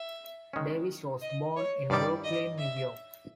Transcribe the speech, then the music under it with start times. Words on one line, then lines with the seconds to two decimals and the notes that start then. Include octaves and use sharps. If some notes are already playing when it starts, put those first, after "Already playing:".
Davis was born in Brooklyn, New York.
Already playing: E5
0.53 D#3 G#3 C#4
1.22 D#5
1.56 C#5
1.90 G2 D#3 G3 D5
2.24 D#5
2.58 E5